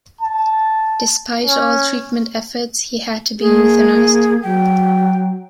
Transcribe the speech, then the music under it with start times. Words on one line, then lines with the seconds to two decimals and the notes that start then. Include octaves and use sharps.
Despite all treatment efforts, he had to be euthanized.
0.21 A5
1.45 C#4
3.40 A#3 G#4
4.43 F#3 G5